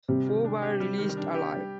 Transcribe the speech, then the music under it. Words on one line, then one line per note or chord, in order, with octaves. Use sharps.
Four were released alive.
C3 G3
D#3
D4
G4
G3
D#3
D4
G4
G3